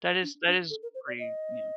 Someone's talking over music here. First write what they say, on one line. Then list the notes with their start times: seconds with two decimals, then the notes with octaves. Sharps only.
That is that is pretty, you know
0.22 D4
0.47 D4
0.70 A4
0.83 A#4
0.95 C5
1.07 D5
1.19 D#5